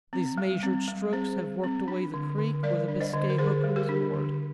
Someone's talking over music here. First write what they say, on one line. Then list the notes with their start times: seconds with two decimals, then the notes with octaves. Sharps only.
These measured strokes have worked away the creek where the Biscay hooker was moored.
0.13 C4
0.38 G3
0.63 C4
0.88 G3
1.13 C4 G#4 C5
1.38 G3
1.63 C4
1.88 D4
2.14 D3
2.38 D3
2.63 G3 A#4 D5
2.88 D4
3.00 C5 D#5
3.13 D3
3.30 A#4
3.38 D3 G#4 C5
3.64 G3
3.76 G4 A#4
3.89 D4
4.13 D3